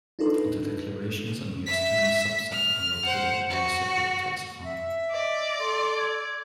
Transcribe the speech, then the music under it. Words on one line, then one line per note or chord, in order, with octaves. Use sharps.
The declarations in the external subset are located in a separate text file.
D4 D#4 F4 A4 B4
E5 B6
F6
C5 F#5
F#4
E5
D5 D#5
A4 C6
G#6